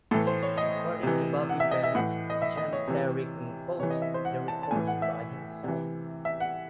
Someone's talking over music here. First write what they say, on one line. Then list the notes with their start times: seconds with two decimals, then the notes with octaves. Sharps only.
According to Bobby Bennett, Johnny Terry composed the recording by himself.
0.11 A2 E3 A4
0.27 C5
0.43 C#5
0.58 D#5
1.03 C3 E3
1.49 F#5
1.60 E5
1.71 D#5
1.84 E5
1.95 A2 E3 F#5
2.30 D#5
2.42 E5
2.57 D#5
2.73 C#5
2.88 C3 E3
3.79 C3 E3 C#5
3.90 D#5
4.02 E5
4.14 C5
4.25 F#5
4.48 A5
4.63 A5
4.71 A2 E3 G#5
4.87 F#5
5.02 E5
5.64 C3 E3
6.25 E5
6.40 F#5